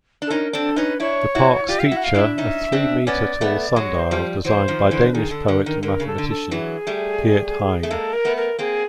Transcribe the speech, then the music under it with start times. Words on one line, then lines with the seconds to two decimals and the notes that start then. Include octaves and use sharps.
The parks feature a three-meter-tall sundial designed by Danish poet and mathematician, Piet Hein.
0.22 D4
0.27 A4
0.30 C#4 D#4 A#4
0.53 C4 D4 A4
0.76 C#4 D#4 B4
1.00 D4 E4 C#5
1.35 E4 F#4
1.68 F4 G4 D5
1.79 F5
1.86 E5
1.91 E4 F#4
1.97 F#5
2.04 F5
2.14 D4 E4
2.21 E5
2.38 C#4 D#4
2.72 C4 D4
3.06 B3 C#4 D5
3.41 A3 B3
3.76 F#3 G#3 C#5
3.99 C5
4.11 F3 G3
4.45 E3 F#3 C5
4.68 D#3 F3
4.91 D3 E3
5.14 D#3 G#4
5.31 D3 A4
5.48 D3 A#4
5.66 D#3 A#4
5.83 D3 A#4
6.00 C#3
6.07 A4
6.18 D3
6.29 A4
6.51 E3 F#3 G#4
6.87 G3 A3
7.83 A3
7.91 G#3 A#3 A4
8.13 A#4
8.25 A3 B3
8.37 A#4
8.59 A#3 C4 G#4